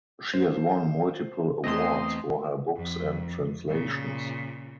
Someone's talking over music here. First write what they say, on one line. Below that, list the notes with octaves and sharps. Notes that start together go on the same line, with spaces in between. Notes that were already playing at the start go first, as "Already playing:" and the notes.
She has won multiple awards for her books and translations.
C5
E2 A3 C4 D#5 C6
F2
A#2 C#3